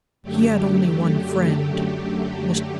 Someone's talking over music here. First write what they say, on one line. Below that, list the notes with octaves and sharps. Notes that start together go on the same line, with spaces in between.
He had only one friend--Mr.
F#2 D3 F#3 A3 G4